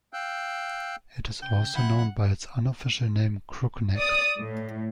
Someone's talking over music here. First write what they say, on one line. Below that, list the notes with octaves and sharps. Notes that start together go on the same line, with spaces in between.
It is also known by its unofficial name Crookneck.
F5 G5 E6 F#6 G6
C#3 G5
C3 F3 F#3 E4 F#5
D5 D#6
A2